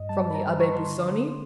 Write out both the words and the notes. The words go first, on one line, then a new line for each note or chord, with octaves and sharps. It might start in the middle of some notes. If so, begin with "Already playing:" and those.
"From the Abbe Busoni?"
Already playing: G2 D#5
G3 A5
B5
G3 A#5
D3 C#6
C6
D3 C6
D3